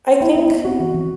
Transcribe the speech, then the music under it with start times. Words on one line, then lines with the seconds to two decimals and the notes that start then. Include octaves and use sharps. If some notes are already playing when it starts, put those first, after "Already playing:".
I think,
0.21 B3 E4
0.35 D4
0.42 E4
0.50 B3
0.64 C4 F#4
0.80 E3
0.94 E3